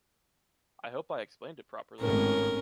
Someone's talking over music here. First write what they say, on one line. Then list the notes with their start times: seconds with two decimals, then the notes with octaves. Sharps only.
I hope I explained it properly.
1.99 G#1 A2 C#4 A#4